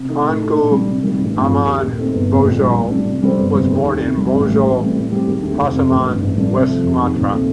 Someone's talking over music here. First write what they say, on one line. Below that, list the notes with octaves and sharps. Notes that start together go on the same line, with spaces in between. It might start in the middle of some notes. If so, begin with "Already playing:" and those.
Tuanku Imam Bonjol was born in Bonjol, Pasaman, West Sumatra.
Already playing: C3
D#3 A3 D#4
A2
A3 D#4
A#2
G3 D4
C3
D#3 G3 A#3
A1
G2 F3 C4 F4
D#2
D#3 A#3 D#4 G4
A#2
A3 C4 D#4
G1
F2 C3
A#1
A#2 G3 D4
A2
G3 D4
C3
G3 D4 A4 C5
G1
F2 C3 G3 C4
D#2
D#3 A3
C3
G3 A#3
A1
A2 G3
A1
A2 G3 C4
A2
G3 C4 G4
D#2
D3 A3 C4 G4
F1
F2 C3
A1
G2 D#3 A#3
A1
A2 G3 D4
C3
F3 A3
F1
D#2 D#3
A#1
A#2 A3 C4